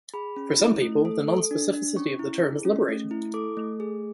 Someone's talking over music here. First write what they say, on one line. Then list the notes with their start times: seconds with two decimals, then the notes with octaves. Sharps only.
For some people, the non-specificity of the term is liberating.
0.14 G#4 B5
0.36 C#4
0.59 E4
0.82 A3
1.05 A4
1.28 A4
1.51 D4
1.74 D4
1.96 C#4 C#6
2.19 E4
2.42 G#4
2.65 C#4
2.89 A3
3.11 E4
3.34 A4 D6
3.57 A3
3.80 G#4